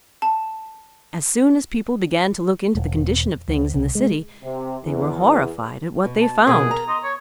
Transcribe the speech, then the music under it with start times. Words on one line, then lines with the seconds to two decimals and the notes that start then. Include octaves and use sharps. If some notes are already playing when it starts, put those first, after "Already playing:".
As soon as people began to look into the condition of things in the city they were horrified at what they found.
0.22 A5
2.75 E1
3.48 D2
3.74 C2
3.95 G#3
4.43 C3
4.83 E2
6.04 B2
6.21 A5
6.46 F#2 B2 E3 G#4 A#4
6.71 A#4 A#5
6.88 D#5 C6
7.03 C#5 C#6